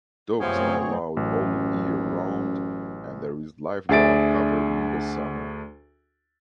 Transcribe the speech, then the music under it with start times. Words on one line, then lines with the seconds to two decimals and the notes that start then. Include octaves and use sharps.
Dogs are allowed all year around and there is lifeguard cover in the summer.
0.40 F#2 A2 C3 F3 B3 C4 G#4 C#5
1.17 A1 F#2
3.89 D2 D4 G#4 E5 A6 D7